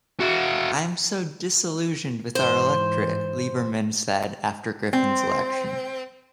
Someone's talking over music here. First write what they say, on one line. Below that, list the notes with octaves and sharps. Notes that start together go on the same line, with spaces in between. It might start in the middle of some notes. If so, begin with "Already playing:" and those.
"I am so disillusioned with our electorate," Lieberman said after Griffin's election.
E4 F#4
G#2 E3 C5
C4